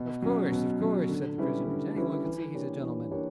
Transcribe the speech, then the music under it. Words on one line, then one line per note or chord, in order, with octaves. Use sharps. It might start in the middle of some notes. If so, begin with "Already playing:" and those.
"Of course--of course," said the prisoners;--"any one can see he's a gentleman!"
Already playing: B2
F#3 C#4
B2
F#3 C#4
D3
G3 C#4 E4 B4
D3
G3 C#4 E4 B4
E3
A#3 D4 G4 C#5
E3
A#3 D4 G4 C#5